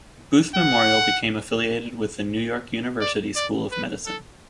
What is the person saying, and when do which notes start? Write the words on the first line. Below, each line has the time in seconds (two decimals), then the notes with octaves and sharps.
Booth Memorial became affiliated with the New York University School of Medicine.
0.54 F#5
3.00 D5
3.36 D5
3.71 B4
4.06 A4